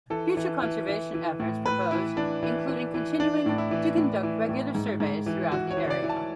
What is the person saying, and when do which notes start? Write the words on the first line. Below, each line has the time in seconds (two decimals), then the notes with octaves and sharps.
Future conservation efforts proposed include continuing to conduct regular surveys throughout the area.
0.10 E3 A4
0.37 E3
0.62 E3
0.88 E3
1.14 E3
1.40 A2
1.66 A2 B4
1.91 E3 E4
2.16 E3 D4
2.43 E3
2.68 E3
2.94 E3
3.20 E3 D4
3.46 A2 D4
3.58 E4
3.71 E3
3.97 A2
4.23 E3
4.49 A2
4.75 G#2
5.00 G#2
5.26 E3
5.52 E3 F#4
5.70 C#5
5.77 E3
5.90 D5
6.03 E3
6.09 A5